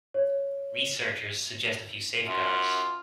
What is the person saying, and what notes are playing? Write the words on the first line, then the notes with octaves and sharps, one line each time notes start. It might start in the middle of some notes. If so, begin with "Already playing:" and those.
Researchers suggest a few safeguards.
C#5
F#2 F4